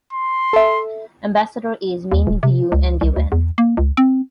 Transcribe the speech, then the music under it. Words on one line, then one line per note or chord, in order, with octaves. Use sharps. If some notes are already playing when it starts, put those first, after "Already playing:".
Ambassador is Minh Vu Nguyen.
C6
A4 E5
D#2
D#1
C3
C#2
C2
D2
E2
A#3
C#2
C4